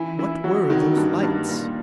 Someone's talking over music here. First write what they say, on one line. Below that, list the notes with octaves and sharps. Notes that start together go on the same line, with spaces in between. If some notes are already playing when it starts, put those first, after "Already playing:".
What were those lights?
Already playing: E3 E4
E4
F#3
D#3 F#3
G2
G2
A#2